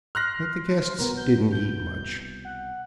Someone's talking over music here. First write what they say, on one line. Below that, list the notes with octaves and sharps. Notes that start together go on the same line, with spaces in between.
But the guests didn't eat much.
C6 F6 F#6 A#6
C2 B2 B3 A#4
G6
G6
F#5